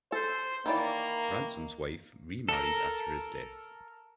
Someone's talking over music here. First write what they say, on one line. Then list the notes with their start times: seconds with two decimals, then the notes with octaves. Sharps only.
Ransom’s wife remarried after his death.
0.12 A4 C5
0.66 D#3 E3 A#3 D5
2.49 A4 A#4